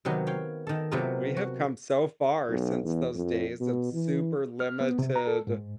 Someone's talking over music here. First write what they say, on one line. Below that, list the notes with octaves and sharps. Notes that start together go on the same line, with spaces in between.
We have come so far since those days of super limited
C3 D#3 F#3 B3
C#5 F5 G5
D#3 A4
C3 F#3 A3 B3 F4 A#4
F#4
B1
E2
F2
B2
E3
F6
B3
C3
A#5
A4
G#2